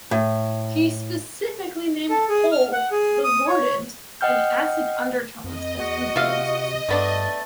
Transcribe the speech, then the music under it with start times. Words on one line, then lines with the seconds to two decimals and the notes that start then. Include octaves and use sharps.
He specifically named Pole, The Gordons and Acid Undertones as influences.
0.11 A2
2.10 A4
2.29 G#4
2.52 F6
2.73 F#5
2.91 G#4
3.24 D#6
3.47 C#5
4.21 D#5 F#5 G5 F6 G6
5.44 F2 D#5
5.78 E2 F#4
6.16 C3 F4 E5 F5
6.89 G2 A3 B3 D4 D5